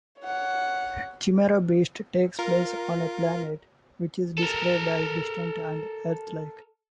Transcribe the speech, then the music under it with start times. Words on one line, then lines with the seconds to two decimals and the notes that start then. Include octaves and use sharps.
Chimera Beast takes place on a planet which is described as distant and Earth-like.
0.21 C#5 F#5
2.39 F4 A#4
4.38 A4 A#4